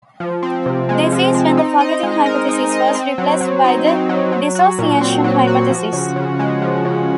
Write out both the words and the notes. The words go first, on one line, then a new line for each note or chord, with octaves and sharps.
This is when the forgetting hypothesis was replaced by the dissociation hypothesis.
F3
C4
C3
G#3
F3
C4
D#4
D#5
G#3
A#4
D#4
D#5
C4
F#3
F#3
D#4
C4
F#3
F#3
F#4
A#2
C4
F#3
F#4
F3
C#3
C#3
G#3
F3
C#3